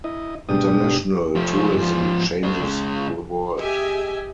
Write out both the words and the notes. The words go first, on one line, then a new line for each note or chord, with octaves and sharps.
International Tourism changes the world.
E4 D#5
G#2 B2 D4 G4 D#6
F3 A3
G#2 F3
A3 D4
C#3 G#3
G4 G#4 D#5 E5 G#5